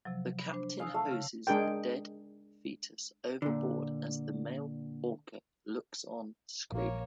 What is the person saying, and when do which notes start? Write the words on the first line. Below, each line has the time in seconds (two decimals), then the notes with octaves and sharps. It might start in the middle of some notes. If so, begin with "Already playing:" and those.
The captain hoses the dead fetus overboard as the male orca looks on screaming.
0.05 C3 F3 F#3
0.39 B5
0.53 D4 C5
0.80 F5 G#5 D#6 E6
0.94 A3
1.12 C#3
1.47 G#3 D4 G#4 A#4 G5
3.42 A#2 D3
6.72 A#1 A#3 C#5